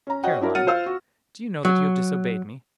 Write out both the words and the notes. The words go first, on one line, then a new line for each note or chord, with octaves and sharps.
"Caroline, do you know that you have disobeyed me?"
C#4 A#5
F#4 C#5 D#5 F#5 G5
F#3 D4 E4 A#4
F#3 F#5 F6 A6 C#7 D#7
F4 C5 F5 E6 F6
F#4
F#3